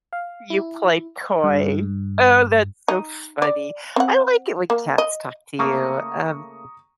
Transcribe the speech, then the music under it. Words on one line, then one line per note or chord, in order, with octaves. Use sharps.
You played coy. Oh, that's so funny. I like it when cats talk to you, um
F5
E4
G2
D#4
D5
C4 F#5
A#3
D#5
C#3 A3 A#3 A#5 C#6 D#6